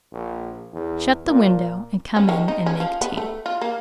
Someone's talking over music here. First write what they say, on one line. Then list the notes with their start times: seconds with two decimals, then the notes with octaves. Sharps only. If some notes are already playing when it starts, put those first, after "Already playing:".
Shut the window, and come in and make tea.'
0.12 A#1
0.73 E2
1.26 A#2
2.16 C#4
2.29 D#3
2.48 D#4
2.66 C#4
2.80 F3
3.01 B3
3.17 A3
3.46 F4
3.62 A#3